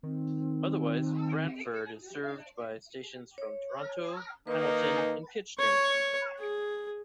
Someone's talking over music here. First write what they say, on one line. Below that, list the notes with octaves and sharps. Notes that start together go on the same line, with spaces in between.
Otherwise, Brantford is served by stations from Toronto, Hamilton and Kitchener.
D#3 C4
C#5
D#3 A#3 D#4 B4
C#5 C#6
G#4